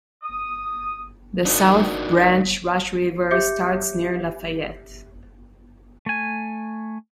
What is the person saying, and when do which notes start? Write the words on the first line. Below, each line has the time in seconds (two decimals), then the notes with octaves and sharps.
The South Branch Rush River starts near Lafayette.
0.22 D#6
1.45 D4 D#4 F#4 A#4 D#5
3.31 G4 E5 D6 G6 C#7
6.06 A3 G#5